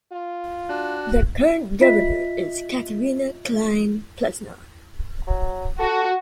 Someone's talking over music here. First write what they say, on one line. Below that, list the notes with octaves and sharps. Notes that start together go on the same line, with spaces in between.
The current governor is Caterina Klein Plesnar.
F4
D4 F#4
F4 D#5 E5 B6
F#3
F#4 A4